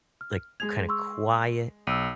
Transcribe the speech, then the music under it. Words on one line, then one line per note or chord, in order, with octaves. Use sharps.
like, kinda quiet.
F6
G#3 G#4 G#6 F7
C6 C#6 E6
B1 E6 D7 D#7